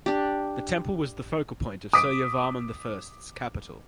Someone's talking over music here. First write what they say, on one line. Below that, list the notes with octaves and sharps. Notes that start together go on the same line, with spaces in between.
The temple was the focal point of Suryavarman the First's capital.
D4 G4
D6 D#6 B6 D7